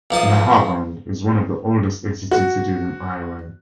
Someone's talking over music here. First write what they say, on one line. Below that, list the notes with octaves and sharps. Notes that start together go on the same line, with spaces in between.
Nahavand is one of the oldest existing cities in Iran.
B1 F3 A5 D#6
F#4